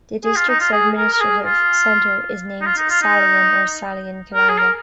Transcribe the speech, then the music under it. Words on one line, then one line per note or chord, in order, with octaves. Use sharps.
The district's administrative center is named Salyan or "Salyan Khalanga".
G#4
F4
D#4
F4
G#4
A#4
A#4
G#4
F4
D#4
F4
D#4
F4
D#4
A#4
G#4
A#4